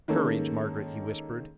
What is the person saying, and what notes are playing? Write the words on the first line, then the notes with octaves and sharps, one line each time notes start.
"Courage, Margaret," he whispered.
D#3 G#3 A#3 C#4 A4